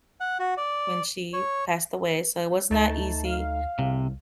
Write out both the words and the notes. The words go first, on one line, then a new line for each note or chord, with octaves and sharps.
when she passed away, so it was not easy.
F#5
F#4
D5
C#5
D2 A3 D#4 A5
F5
C2 C3